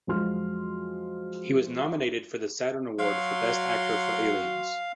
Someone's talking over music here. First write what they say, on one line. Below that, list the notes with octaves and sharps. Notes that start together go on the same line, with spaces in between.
He was nominated for the Saturn Award for Best Actor for Aliens.
F2 F3 F#3 G#3 C6 F6
F#3 F5 C6